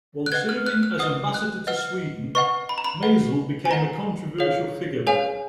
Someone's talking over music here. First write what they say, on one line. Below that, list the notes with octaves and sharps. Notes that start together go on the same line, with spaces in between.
While serving as ambassador to Sweden, Mazel became a controversial figure there.
F#6
B4 D#5 F#5 G#6
F6
F#6
F6
B4 D#5 F#5 D#6
F#6
B4 D#5 F#5 F6
B4 D#5 F#5 C#6
B5
A#5
B5
B4 D#5 F#5
G#5
B4 D#5 F#5 A#5
G#4 C#5 F5
G#4 C#5 F5 G#5